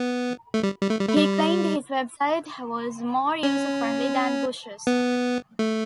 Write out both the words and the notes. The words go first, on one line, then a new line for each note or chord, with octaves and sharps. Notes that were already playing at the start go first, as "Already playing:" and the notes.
He claimed his website was more user-friendly than Bush's.
Already playing: B3
A3
G3
G3
A3
G3
A3
G3
C#4
B3
A3